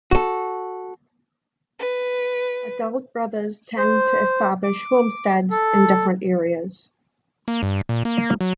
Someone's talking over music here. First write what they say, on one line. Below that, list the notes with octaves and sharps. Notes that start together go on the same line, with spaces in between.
Adult brothers tend to establish homesteads in different areas.
F#4 A4
B4
C5
D6
A4
A#3
G2
A#2
A#3
F#3